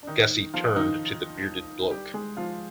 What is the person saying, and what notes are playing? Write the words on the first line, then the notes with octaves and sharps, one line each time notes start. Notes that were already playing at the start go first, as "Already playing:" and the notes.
Gussie turned to the bearded bloke.
D4
D#3 D#4
F3 F4
D#3 D#4
G3 G4
G#3 G#4
F3 F4